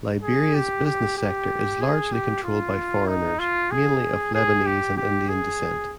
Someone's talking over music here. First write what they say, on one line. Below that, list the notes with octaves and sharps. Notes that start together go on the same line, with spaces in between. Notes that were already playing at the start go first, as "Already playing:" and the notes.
Liberia's business sector is largely controlled by foreigners mainly of Lebanese and Indian descent.
G#4
G4
G4
G4
G#4
G4
F4
D#4
F4
G#4
G#4
G4
G4
G#4